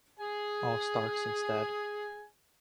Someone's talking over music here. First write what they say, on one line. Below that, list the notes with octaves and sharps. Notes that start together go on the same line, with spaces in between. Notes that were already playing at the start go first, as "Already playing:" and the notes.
All Starts instead.
G#4 G#5